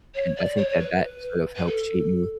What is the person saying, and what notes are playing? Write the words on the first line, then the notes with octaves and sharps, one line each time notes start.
and I think that that sort of helped shape me in
C#5
D5
C#5
C#5
B4
B4
A4